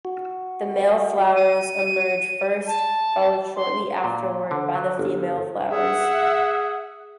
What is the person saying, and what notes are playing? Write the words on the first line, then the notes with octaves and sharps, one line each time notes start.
The male flowers emerge first, followed shortly afterward by the female flowers.
F#4
D#7
A5
C6
A#2
D3
F#3
G1
G#4 E5 F#5